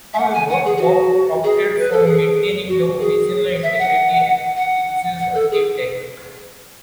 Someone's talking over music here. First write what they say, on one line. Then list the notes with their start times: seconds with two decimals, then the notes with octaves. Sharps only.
However, Bob opted for maintaining the original integrity, and uses a tape deck.
0.14 E5
0.18 F#5
0.34 G#5
0.49 F#5
0.66 G#4
0.77 G#4
0.81 F#4
1.44 G#4
1.79 B4
1.92 A4
2.06 G#4
2.69 F#4
3.00 G#4
3.63 E5
3.79 F#5
4.57 F#5
5.19 F#5
5.35 A4
5.51 G#4